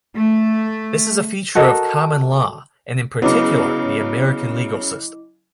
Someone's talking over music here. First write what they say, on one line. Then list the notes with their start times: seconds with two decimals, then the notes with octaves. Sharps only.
This is a feature of common law, and in particular the American legal system.
0.15 A3
1.55 F#4 A4 A#4 D#5
3.22 C#3 F#3 B3 E4 D#5 D6